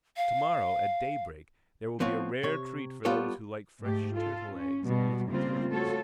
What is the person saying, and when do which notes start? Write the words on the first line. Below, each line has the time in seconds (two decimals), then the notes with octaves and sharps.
"Tomorrow, at daybreak, there will be a rare treat for those who like fresh turtle eggs and little turtles!"
0.17 F5
2.00 F3 B3 C4 F4 C#5
2.43 C3 C#5
3.05 G3 B3 F4 A4 C5 C#5
3.83 G#2 A3 G4
4.14 F4 A4
4.53 C#4
4.85 B2 G3 B3
5.30 C#3 G3 A3 A#3 C4 F4
5.69 A3 F4 F#4 A4 C#5